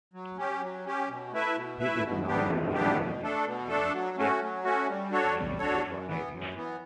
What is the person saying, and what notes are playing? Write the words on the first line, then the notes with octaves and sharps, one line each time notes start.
He is now living in the Winnipeg, Manitoba area.
F#3
C#4 G4
F#3
C#4 G4
B2
A3 E4 B4 E5
B2
A3 E4 B4 E5
B2
G3 B3 D4 G4
B2
G3 B3 D4 G4
B2
A3 D4 A4
B2
A3 D4 A4
F#3
A3 C#4 F#4
F#3
A3 C#4 F#4
G3
D4 F#4 A4 C#5
G3
D4 F#4 A4 C#5
F#2
E3 B3
F#2
E3 B3